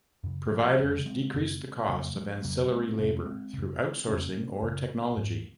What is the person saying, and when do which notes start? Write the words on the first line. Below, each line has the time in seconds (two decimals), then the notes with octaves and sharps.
Providers decreased the cost of ancillary labor through outsourcing or technology.
0.24 F#2 C#3
0.52 F3
0.79 F2 C#3 F3 G#3
1.06 G#3 C4
1.34 F#2 C#3
1.89 F2 C#3 F#3 A#3
2.16 F3 G#3
2.44 F2 C#3 F#3 A#3
2.71 G#3 C4
2.98 F2 C3 A#3 C#4
3.26 G#3 C4
3.54 F#2 C#3
4.08 F2 C#3 A#3 C#4
4.63 F#2 C#3
5.18 G#2